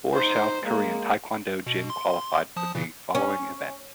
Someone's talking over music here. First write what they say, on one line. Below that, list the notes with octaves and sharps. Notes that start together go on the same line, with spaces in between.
Four South Korean taekwondo jin qualified for the following events.
D#4 C5
G#3 A#3
B2
C6
F3 A5 D#6
A#2 C#3 E3
C#4